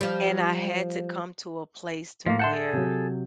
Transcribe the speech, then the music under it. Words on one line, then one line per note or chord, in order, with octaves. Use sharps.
And I had to come to a place to where
F3 G3
A2 F3 A#3 F5
E5 F#5 A5 C6 G6
G#4 A4
C3 F#3